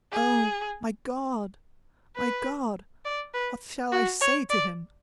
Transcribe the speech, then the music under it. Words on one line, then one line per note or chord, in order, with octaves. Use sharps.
Oh, my God! my God! what shall I say to him?
G#4
B4
D5
B4
F#4
C#5
D5